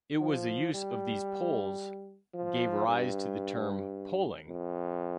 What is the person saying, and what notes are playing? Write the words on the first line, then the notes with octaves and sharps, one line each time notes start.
It was the use of these poles gave rise to the term "poling".
F3
G3
F3
G2
F2